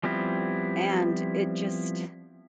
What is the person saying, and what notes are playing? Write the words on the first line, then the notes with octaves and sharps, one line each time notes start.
and it just
F3 G3 B3 C4 E4